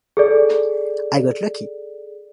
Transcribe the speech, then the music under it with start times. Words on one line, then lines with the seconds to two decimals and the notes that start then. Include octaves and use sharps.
I got lucky.
0.17 G#4 A4 D5